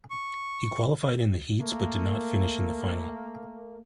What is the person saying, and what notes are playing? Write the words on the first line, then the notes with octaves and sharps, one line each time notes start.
He qualified in the heats but did not finish in the final.
C#6
A3 A#3